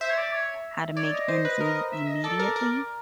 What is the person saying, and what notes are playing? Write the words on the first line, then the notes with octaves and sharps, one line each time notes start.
how to make ends meet immediately,
C5 E5
C#5
D5
C#5
C#5 D5
D#5
C5
B4
A#4
E5
D#5
A4 D5
A#4
A#4